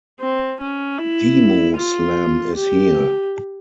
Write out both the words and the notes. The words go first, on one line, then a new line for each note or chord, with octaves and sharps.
Demo Slam is here!
C4
C#4
E4
F4
G4